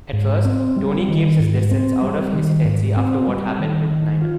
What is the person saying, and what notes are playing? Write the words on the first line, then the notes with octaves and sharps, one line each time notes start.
At first, Tony keeps his distance out of hesitancy after what happened with Nina.
G#2
C4
G3
D#3
G#2
C4
G3
D#3
G#2
C4
G3
D#3
D#3
F4